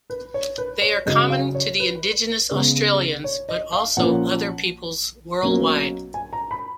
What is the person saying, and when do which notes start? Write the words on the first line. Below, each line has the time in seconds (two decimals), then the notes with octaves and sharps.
They are common to the Indigenous Australians but also other peoples worldwide.
0.10 B4
0.34 C#5
0.58 B4
0.82 C#5
1.06 F#2 C#3 F#3 D#5
1.30 F5
1.55 C#5
1.80 B4
2.51 C#3 G#3 B3
3.24 C#5
3.49 D#5
3.72 F5
3.97 A#2 F3 A#3 C#4 F#5
5.42 B2 F#3 A#3 C#4
6.14 G#5
6.33 A#5
6.51 B5